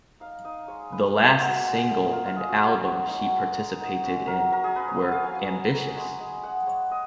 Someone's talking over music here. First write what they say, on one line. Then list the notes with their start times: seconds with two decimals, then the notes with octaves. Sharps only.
The last single and album she participated in were Ambitious!
0.20 D#4 F5
0.45 D#4 D#5
0.68 G#3 C#5
0.92 D#4 B4
1.16 G#3 A#4
1.32 F#4
1.41 G#3
1.49 F#4
1.65 G#3
1.89 D#4
2.12 D#4 F4
2.24 F4
2.36 G#3 G#4
2.49 F#4
2.60 D#4 F#4
2.84 G#3 F#4
3.07 D#4 C#5
3.32 G#3
3.56 G#3
3.80 D#4
4.04 C#4 C#5
4.27 F#3 A#4
4.51 F#3 A#4
4.64 G#4
4.76 C#4 B4
4.88 C#5
4.99 F#3
5.12 F5
5.24 F#3 G#5
5.35 G#5
5.48 F#3
5.72 F#3
5.96 G#3
6.19 G#3
6.43 G#3 F#5
6.67 G#3 C#5
6.91 D#5